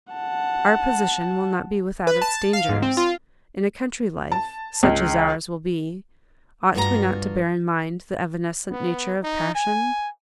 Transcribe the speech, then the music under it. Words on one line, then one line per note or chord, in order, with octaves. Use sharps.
Our position will not be without its dangers; in a country life, such as ours will be, ought we not to bear in mind the evanescent nature of passion?
F#5 A5
B4
A5
F5
G#2
C4
F4
A5
C#2
G2 F4 F#4 B4 A#5
B3
D#4
G#5